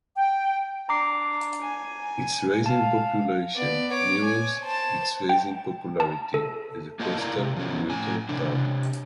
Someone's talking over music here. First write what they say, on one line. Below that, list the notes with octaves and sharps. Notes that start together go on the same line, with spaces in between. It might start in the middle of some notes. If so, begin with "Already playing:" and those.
Its rise in population mirrors its rise in popularity as a coastal commuter town.
G5
D4 A#5 D6 C7
G#5
F5 A5
B3 D5
C#5 D6
G#5
C5 A5
G5
A5
A4
A#3 F4 C5 D#5 F5 A5
E4 A#4 D5 F5 A#5
C3
F3 C#4
A2 G#5
C3 D4